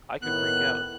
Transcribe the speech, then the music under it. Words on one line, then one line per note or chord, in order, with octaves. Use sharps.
I could freak out!
A2 D#3 B3 F#6